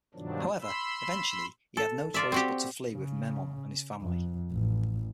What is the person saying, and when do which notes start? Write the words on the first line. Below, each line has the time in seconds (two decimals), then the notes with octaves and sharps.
However, eventually, he had no choice but to flee with Memnon and his family.
0.15 G2 B2 D#3 F3 F#3 D4
0.62 B5 C6 E6
1.77 A4
2.14 F4 D5 E5
2.32 C4 F#4 G4
2.92 C#3
4.02 F2
4.52 A1